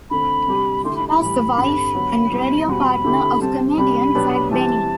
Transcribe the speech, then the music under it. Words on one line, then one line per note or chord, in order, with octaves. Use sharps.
She was the wife and radio partner of comedian Jack Benny.
D3 A3 C4 B5
C3 G3 D4 G4
D3 A3 E4 G4 C6
B5
B5
A2 E3 G3 B5
G2 D3 A3 C4 G4
D3 F#3 B3 F#4
B2 G3 C4 E4
E2 B2 G3 C4 F#4 B5 C6
D3 A3 C4 E4 G4
C3 G3 C4 A5
C3 G3 D4 G4 B5
B2 F#3 B3 D4 G4
E3 G3 C4 G4 A5